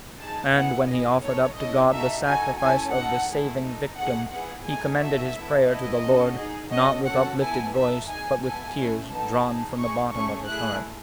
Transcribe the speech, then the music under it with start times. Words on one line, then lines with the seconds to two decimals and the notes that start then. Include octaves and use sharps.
And when he offered up to God the Sacrifice of the saving Victim, he commended his prayer to the Lord, not with uplifted voice, but with tears drawn from the bottom of his heart.
0.19 D#4 G#4 A5
0.54 B3 E4 G#4 F#5
0.88 B3 E4 G#4 D#5
1.22 D#4 A4 C#5
1.56 C#4 E4 A4 D#5
1.91 D#4 F#4 A4 E5
2.25 D#4 F#4 A4 G#5
2.59 C#4 E4 A4 G#5
2.93 D#4 A4 F#5
3.28 A3 E4 G#4
3.62 D#4 A4
3.96 A3 D#4 G#4 F#5
4.31 B3 E4 G#4 F#5
4.65 A3 D#4 G#4 G#5
4.98 D#4 F#4 A4 E5
5.33 B3 E4 A4
5.67 B3 E4 A4 D#5
6.02 C#4 F#4 A4
6.36 D#4 G#4
6.70 C#4 F#4 A4 D#5
7.04 C#4 F#4 A4 F#5
7.38 B3 E4 A4 G#5
7.73 D#4 A4 E5
8.07 D#4 G#4 G#5
8.41 B3 E4 A4 G#5
8.76 A3 C#4 E4
9.10 B3 D#4 A4 A5
9.44 D#4 G#4
9.78 D#4 G#4 C#6
10.13 A3 C#4 G#4 C#6
10.46 A3 E4 G#4 F#6